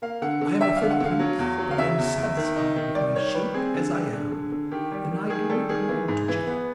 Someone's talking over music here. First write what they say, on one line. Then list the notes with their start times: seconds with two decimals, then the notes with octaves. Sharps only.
I am a fairy prince, but I am satisfied with my shape as I am; and I do not want to change.
0.02 A#3 F5
0.22 D3 F#5
0.41 D3
0.61 G3 E5
0.76 D3 F5
0.90 F#5
1.00 D3 F5
1.19 F#3
1.39 E2
1.58 F#3
1.71 F5
1.78 C#3 E5
1.98 E2
2.17 E2
2.37 D#3
2.56 D#4
2.76 D#3
2.95 G3 D5
3.15 D#3 C#5
3.35 G3 B4
3.54 C4 G#4
3.74 D3
3.93 G3
4.13 D3
4.32 D3
4.52 D3
4.71 D#3 G4
4.92 G3
5.11 D#3
5.30 D#3 G#4
5.49 G3 A4
5.69 D#3 G#4
5.88 E3
6.08 G#2
6.28 E3
6.47 B3